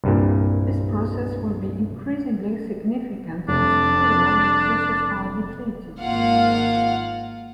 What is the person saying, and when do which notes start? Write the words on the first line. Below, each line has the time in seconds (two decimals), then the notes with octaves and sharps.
This process will be increasingly significant as crude oil resources are depleted.
0.04 C2 G2 A#2
3.49 F1 D4
6.00 G#1 A#3 F4 F5 F#5